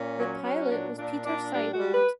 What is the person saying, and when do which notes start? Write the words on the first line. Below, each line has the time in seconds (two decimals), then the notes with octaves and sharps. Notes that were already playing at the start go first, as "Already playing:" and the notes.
The pilot was Peter Siebold.
Already playing: A#2 C#4
0.17 F#3
0.44 F#3
0.71 A#2 D4
0.98 A#2 D4
1.25 A#2 D4
1.53 G3 D4
1.73 F#4
1.79 G3
1.93 B4